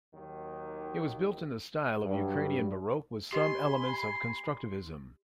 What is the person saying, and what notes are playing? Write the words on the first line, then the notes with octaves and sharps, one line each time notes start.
It was built in the style of Ukrainian Baroque with some elements of Constructivism.
D#2 D#3 F#3
G2 F#3
G4 D#5 G#5 B5 C6